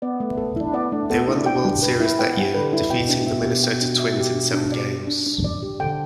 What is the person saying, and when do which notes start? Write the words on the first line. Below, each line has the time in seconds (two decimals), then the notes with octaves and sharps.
They won the World Series that year, defeating the Minnesota Twins in seven games.
0.02 B3 D5
0.20 A3
0.37 A4
0.56 D4 E4
0.74 B3 D5
0.92 A3 D4
1.10 B3 A4
1.28 D4 E4
1.46 G5
1.65 G3
1.83 B4
2.00 E4
2.19 B3 G5
2.37 G3
2.55 D3 B4
2.73 E4
2.90 B2 G5
3.09 D4
3.27 E5
3.46 G4
3.64 G5
3.81 D4
4.00 E5
4.17 G4
4.35 D4
4.54 D4
4.72 D5
4.90 G4
5.07 D4
5.26 D4
5.44 D5
5.63 G4
5.80 D3 G5